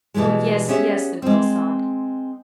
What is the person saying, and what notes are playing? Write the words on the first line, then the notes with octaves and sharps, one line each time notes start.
"Oh, yes, yes," the girl sobbed.
B2 D3 E3 G3 G#3
B3 C#4 G4 G#4 E5
G#3 C4